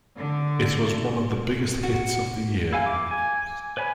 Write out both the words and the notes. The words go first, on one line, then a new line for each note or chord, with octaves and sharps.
It was one of the biggest hits of the year.
D3
F#4
E4 F5 G#5
D6
G#5
B4 C#5 G#5 B5